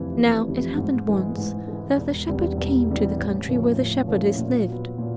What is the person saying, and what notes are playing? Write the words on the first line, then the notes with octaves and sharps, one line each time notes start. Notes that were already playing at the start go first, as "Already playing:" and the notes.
Now it happened once that the shepherd came to the country where the shepherdess lived.
Already playing: F1 F2 C3 E3
F1
F2 C3 E3
G#2
E3 G#3
G#2
E3 G#3
E1
E2 C3 E3 G3
E1
E2 C3 E3 G3
A1
A2 F3 A#3 C#4
A1
A2 F3 A#3 C#4
A#2
F#3 B3
A#2